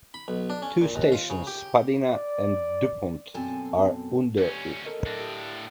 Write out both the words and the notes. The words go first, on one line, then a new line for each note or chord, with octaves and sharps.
Two stations, Spadina and Dupont, are under it.
B5
B1
D4
C#4
A#2
D#2
F4
C#3
G4
D5
F#2 B2 C4 A4 G#5 A5
D2 C#4 G4
A4 A#4 D#5
A2 D4 A#6
G4 D#6